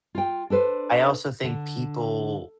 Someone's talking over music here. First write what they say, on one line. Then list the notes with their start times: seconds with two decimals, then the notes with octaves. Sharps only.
I also think people,
0.15 F4 G5
0.50 D4 A4 B4 C5
1.43 D3